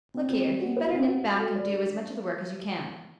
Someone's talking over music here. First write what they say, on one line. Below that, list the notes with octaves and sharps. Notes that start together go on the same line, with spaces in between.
Look here, you'd better nip back and do as much of the work as you can.
C4
C4
G3
F#4
B4
C4
F#4
F#4
A4
D5
D4